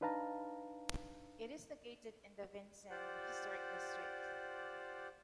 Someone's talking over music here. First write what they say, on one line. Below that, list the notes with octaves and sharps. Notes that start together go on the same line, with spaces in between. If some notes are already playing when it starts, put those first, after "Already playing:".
It is located in the Vincennes Historic District.
D4 D#4 B4 F5 A5 A#5
F4 G4 C5 D5 F#5